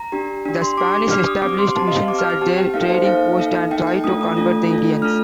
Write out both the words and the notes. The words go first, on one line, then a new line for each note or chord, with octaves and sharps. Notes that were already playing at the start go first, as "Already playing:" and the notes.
The Spanish established missions at their trading posts and tried to convert the Indians.
Already playing: A#5
D4 G4
D4 G4
C6
D4 G4 D6
D6
D4 G4 F6
D#6
C4 G4 D6
C6
C4 G4 A5
D#5
F5
C4 G4 D6
F6
F6
C4 G4 A5
G5
A#3 D#4 A4 F5
C5
A#3 D#4 A4 F5
A#3 D#4 A4
A#3 D#4 A4 G5
G5
A3 D4 F4 A4 D#6
D#6
A3 D4 F4 A4
A3 D4 F4 A4
A3 D4 F4 A4 F6